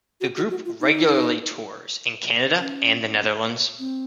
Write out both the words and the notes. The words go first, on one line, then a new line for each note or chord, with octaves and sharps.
The group regularly tours in Canada and the Netherlands.
F#4
F#4
F#4
F4
D#4
C#4
C4